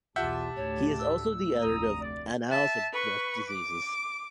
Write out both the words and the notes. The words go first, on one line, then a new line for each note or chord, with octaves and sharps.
He is also the Editor of Annals of Breast Diseases.
B1 E2 F4 G4 E5 F#5 A5 G6
D2 A2 C#5
E6
F1 D2 A#5 D#6
D5
E5 A5
B4 C#6
D6